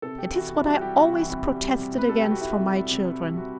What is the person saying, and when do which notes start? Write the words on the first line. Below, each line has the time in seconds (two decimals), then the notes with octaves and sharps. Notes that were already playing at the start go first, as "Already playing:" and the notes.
It is what I always protested against for my children.
0.02 C3 A4
0.18 C3 G4
0.33 E3 F#4
0.49 C3
0.55 E4
0.65 G3 F#4
0.81 G3 G4
0.97 C3 F#4
1.13 E3 F#4
1.29 C3 E4
1.45 G3
1.61 G3
1.78 C3
1.93 C3
1.98 B4
2.09 G3 A4
2.20 C3 G4
2.31 F#4
2.41 G3 E4
2.57 C3
2.73 G3
2.89 C3
3.05 G3
3.21 G3
3.36 C3 F#4